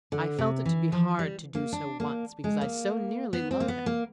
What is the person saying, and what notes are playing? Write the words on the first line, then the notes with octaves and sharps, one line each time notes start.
I felt it to be hard to do so once, because I so nearly love him!
D3
C3
E3
F3
G3
A#3
D4
A#3
G#3
A#3
B3
C4
A#3
B3
A#3